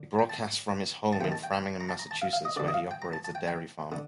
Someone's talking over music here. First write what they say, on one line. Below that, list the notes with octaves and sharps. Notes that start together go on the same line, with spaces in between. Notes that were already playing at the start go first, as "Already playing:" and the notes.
He broadcasts from his home in Framingham, Massachusetts, where he operates a dairy farm.
Already playing: D3
G5
A5
A5
D#2 D#3 G5
A5
G5
G5
A#5
A5
A#5
A5
F5
F5
D#5
D2 D3 D5
D#5
F5
G5
A#5
A5
A5
G5
G5
D3